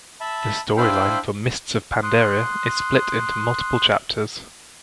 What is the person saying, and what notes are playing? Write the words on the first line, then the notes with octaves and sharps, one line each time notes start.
The storyline for "Mists of Pandaria" is split into multiple chapters.
E5 A5 B5
D4 E4 C5 F5 G5 B5
C6 D#6 F#6